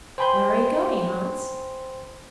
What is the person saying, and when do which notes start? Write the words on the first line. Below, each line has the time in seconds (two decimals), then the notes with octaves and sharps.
'Where are you going, Hans?'
0.18 C5 G5 G#5 B5 C6 G6